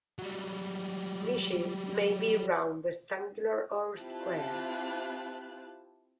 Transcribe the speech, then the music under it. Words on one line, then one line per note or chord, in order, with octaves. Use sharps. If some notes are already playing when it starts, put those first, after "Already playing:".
Knishes may be round, rectangular, or square.
F#3 G3
C4 E4 F4 G4 A5 F#6